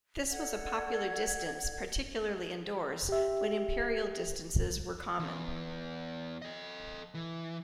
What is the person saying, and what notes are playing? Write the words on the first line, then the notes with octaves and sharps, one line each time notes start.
This was a popular distance, particularly indoors, when imperial distances were common.
A4 D5 F#5 G#6
G4 E5
E2
A4 D#5
E3